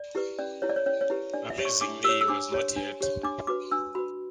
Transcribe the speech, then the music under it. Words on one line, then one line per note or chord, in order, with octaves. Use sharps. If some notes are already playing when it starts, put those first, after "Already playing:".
Amazingly, he was not hurt.
Already playing: D5
E4 G4 B4
C#4 D5
E4 G4 B4 C#5
D5
C#5
C#4 C#5
C#5
E4 G4 B4
D4 D5
E5
G4 C#5
C#6
D4 D6
G4 C#5 E6
E6
D4 D6
G4 C#5
D4
G4 C#5
D4 D6
F#4 B4 D6
D4 E6
F#4 B4 B5